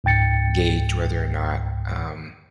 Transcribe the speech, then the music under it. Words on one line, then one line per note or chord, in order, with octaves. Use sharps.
gauge whether or not, um,
C#2 G#2 G5 A6 C#7